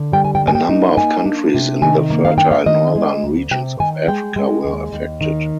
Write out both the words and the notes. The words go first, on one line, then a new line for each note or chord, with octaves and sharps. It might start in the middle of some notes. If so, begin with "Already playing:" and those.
A number of countries in the fertile northern regions of Africa were affected.
Already playing: D3
G3 G5
G#5
G5
A#3
G#5
G5
D#4
A#3 G#5
D4
C3
D#3 G#5
A#3
F5
D4 G5
F5
D#3 D#5
G#3
D2
C3 G5
D#3 G#5
G#3 G5
G#3
D#2
D#2
D#3